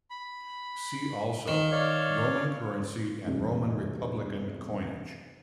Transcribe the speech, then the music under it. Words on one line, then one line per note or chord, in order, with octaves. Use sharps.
"See also:" Roman currency and Roman Republican coinage.
B5
D#3
C#5 D5 F5
B1 E2 G2 C3